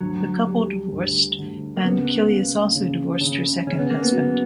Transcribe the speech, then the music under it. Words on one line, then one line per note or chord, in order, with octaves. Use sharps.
The couple divorced, and Kilius also divorced her second husband.
D2 F#3
G3
D2
D2
A#3
C#3 B3
A#3
C#3
C#3
C#3 C#4
B3
A#3
B3
F#3